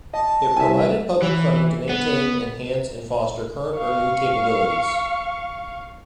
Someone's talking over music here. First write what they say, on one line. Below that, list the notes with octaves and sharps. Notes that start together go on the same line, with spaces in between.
It provided public funding to maintain, enhance, and foster current or new capabilities.
D#5 A5
C2 E5 G#5
E3
B3
F5 C#6